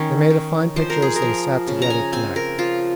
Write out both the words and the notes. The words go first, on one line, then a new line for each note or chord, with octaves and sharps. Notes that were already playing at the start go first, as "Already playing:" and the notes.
They made a fine picture as they sat together to-night.
Already playing: D#3 C#4
D#3
F3 C5
A#4
G#4
A#4
F3
C#3
A#5
G#5
C4 G#5
A#4
F3 F4